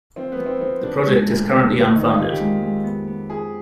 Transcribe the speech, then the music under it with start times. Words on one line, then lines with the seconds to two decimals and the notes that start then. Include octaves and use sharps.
The project is currently unfunded.
0.16 F3 C4
0.32 B3
0.39 F3
0.46 C4
0.60 F3 C4
0.84 F3 D4
1.06 G#3
1.27 D2
1.51 F3
1.73 D3
1.95 D#3 D#4
2.06 F4
2.18 F2 F4
2.29 G4
2.40 G#3
2.62 G#3
2.84 B3
3.07 B3
3.29 F4 G#4